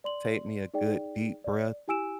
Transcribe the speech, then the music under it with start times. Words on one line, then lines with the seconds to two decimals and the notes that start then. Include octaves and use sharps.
take me a good deep breath,
0.04 D5 C6 F#7
0.74 D#4 G#4 D5 G5
1.44 D5
1.88 E4 G4 G#5 E6 D7 E7